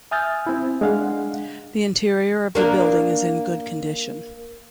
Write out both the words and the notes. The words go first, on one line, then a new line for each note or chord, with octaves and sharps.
The interior of the building is in good condition.
E5 G#5 D#6 F6 G6 A6
C4 E4
G#3 D4 F5 F#5
A#3 D4 A#4